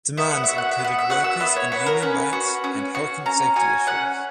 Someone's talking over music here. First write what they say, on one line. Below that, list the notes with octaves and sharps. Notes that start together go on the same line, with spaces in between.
Demands included workers and union rights and health and safety issues.
B3 E5
F#5
F#4 E5
F#5
E5
B3
F#5
E5
F#4 F#5
E5
B3 E5
C#5
F#4 B4
A#4
C#4 B4
F#4
C#4
F#4
C#4 A#5
F#4 G#5
C#4 F#5